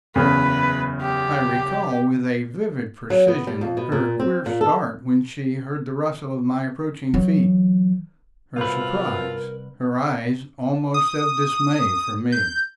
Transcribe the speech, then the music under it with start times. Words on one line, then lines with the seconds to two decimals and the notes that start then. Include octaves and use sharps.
I recall with a vivid precision her queer start when she heard the rustle of my approaching feet, her surprise, her eyes almost of dismay for me.
0.16 F#1 E2 C#3 B4
1.01 G4
3.10 F#3
3.28 B3
3.47 G3
3.61 F2
3.77 B2
3.92 A#2
4.20 C4
4.46 A#2
4.61 A4
7.14 E3 F#3
8.57 C2 B2 C4 F4 A#4 B4
10.94 D#6
12.32 G6